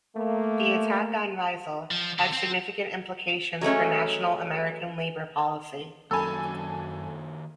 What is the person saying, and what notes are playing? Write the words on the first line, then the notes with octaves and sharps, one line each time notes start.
The attack on Riesel had significant implications for national American labor policy.
A3 A#3
F3
D3 D4
C4
F#3 G#3 A3 C#4
F#2 D#3 A#3 F#4 A4 G#5 B5 E6